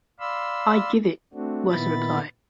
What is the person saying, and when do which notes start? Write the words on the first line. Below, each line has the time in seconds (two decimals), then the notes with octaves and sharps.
"I give it," was the reply.
0.20 D5 F5 B5 C6 E6
1.33 A3 C4 D4 F#4
1.69 A#2 D#3 B3 E4 B5 A6